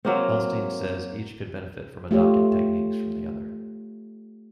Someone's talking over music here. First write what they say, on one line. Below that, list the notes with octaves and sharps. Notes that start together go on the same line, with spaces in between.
Felstein says each could benefit from adopting techniques from the other.
F#3 A#3 C4
A3 F4 G4 C#5